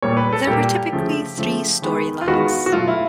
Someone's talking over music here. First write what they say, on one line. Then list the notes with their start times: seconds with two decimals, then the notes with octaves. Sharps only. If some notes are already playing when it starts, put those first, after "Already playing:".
There were typically three storylines.
0.02 A#2 G3 A#3 C#5
0.17 B4
0.32 A4
0.47 A#2 G3 A#3 G4
0.92 C#3 F3 A3
1.37 C#3 F3 A3
1.82 D#3 G#3 B3
2.21 F4
2.27 D#3 G#3 B3 F#4
2.66 F#4
2.72 B2 F#3 A3 F4
2.88 E4